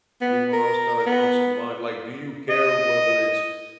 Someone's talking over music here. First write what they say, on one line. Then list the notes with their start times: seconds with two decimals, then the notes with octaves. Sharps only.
Anyone else kinda comes to mind? Like, do you care whether it's
0.21 B3
0.53 A#4
1.06 B3
2.50 D#5